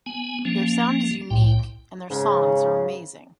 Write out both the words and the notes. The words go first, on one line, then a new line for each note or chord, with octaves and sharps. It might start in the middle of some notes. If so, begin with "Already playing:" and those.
Their sound is unique and their songs are amazing.
B3 G#5
F3 A#3 C#4
C2 A2 G5
G#2 C#3